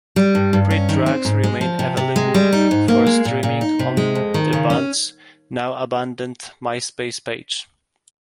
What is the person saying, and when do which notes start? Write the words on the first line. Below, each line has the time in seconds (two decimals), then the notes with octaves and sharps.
Three tracks remain available for streaming on the band's now-abandoned MySpace page.
0.16 G3
0.35 G2
0.53 G2
0.70 C#4
0.89 D#3
1.06 C4
1.25 G#2
1.44 G#3
1.61 F3
1.79 C3
1.97 C3
2.16 G#3
2.34 G3
2.53 D#4
2.71 G#2
2.88 A#3
3.06 G#3
3.25 A#2
3.43 A#2
3.61 D#4
3.79 C3
3.97 G#3
4.15 F2
4.34 D#3
4.53 C#3
4.70 C#4